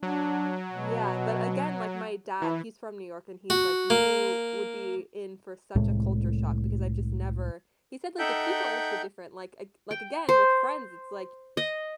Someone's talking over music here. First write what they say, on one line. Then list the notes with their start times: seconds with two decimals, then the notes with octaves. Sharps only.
Yeah, but again, like my dad, he's from New York and he's like, "You would be in for such a culture shock because I've just never" he said, like, the people are so different, like ag like, again, with friends, it's like
0.03 F#3 D4
0.70 B2
2.42 E3 E4
3.50 F#4
3.90 A#3
5.76 C2 A2 G#3 A3
8.19 D#4 A4 E5 F#5 G5 G6
9.91 G5
10.29 C5
11.57 D#5